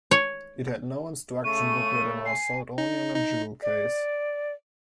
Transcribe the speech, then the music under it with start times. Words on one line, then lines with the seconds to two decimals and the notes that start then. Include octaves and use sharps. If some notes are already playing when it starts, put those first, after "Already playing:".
It had no instruction booklet and was sold only in a jewel case.
0.11 C#5
1.44 C#3 A3 C#6 D#7
2.25 G#5 C7
2.78 D#4
3.15 D#4
3.63 D5